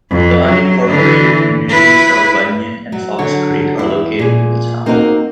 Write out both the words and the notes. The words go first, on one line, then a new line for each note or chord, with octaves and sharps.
The unincorporated communities of Bunyan and Fox Creek are located in the town.
F2
F#3
D3 E3
E4 B4
F#3
D3 F#3 C#5
E2 E4
A#2 G#4
A#3 C4 D#4 F#4 A#4